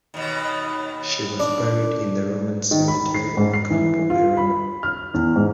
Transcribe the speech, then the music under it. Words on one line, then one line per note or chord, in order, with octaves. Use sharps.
She was buried in the Roman cemetery of Campo Verano.
D#2 B2
D4
D#3
B5
C7
G#2
C7
E3
F4
B5
F6
E2
G#2